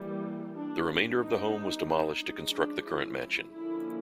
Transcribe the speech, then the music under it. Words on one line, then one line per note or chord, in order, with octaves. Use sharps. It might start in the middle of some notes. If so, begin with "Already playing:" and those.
The remainder of the home was demolished to construct the current mansion.
Already playing: E3 G3 A#3
D4
G3 B3 D4
D#4
D#4
F3 G#3 C#4 D#4
D4
E4
D3 F3 A#3 C#4 E4